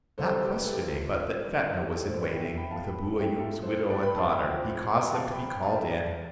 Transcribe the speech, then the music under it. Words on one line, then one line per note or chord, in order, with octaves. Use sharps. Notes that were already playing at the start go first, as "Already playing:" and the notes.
Not questioning but that Fetnah was in waiting, with Abou Ayoub's widow and daughter, he caused them to be called in.
C2 C3 G3 A4 C5
A4 C5
G4 B4
B4
A4
G4
F4 A4
G4
F4 A4
A4 C5
B4 D5
E2 B2 B3 E5 G5
E5 G5
G5 B5
F5 A5
G5 B5
E5 G5
F4 A4
A4 C5
B4 D5
G5 B5
A5 C6
G5 B5
F2 C3 F3 C4
E5 G5
F5 A5
G5 B5
G5 B5
F5 A5
E5 G5
D5 F5